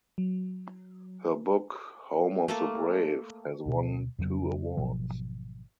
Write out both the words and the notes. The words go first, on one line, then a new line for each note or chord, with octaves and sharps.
Her book "Home of the Brave" has won two awards.
F#3
A3 A#3 A4
D2 B2
F2 C#3 F#3 B3
G#1 B2 F3 F#3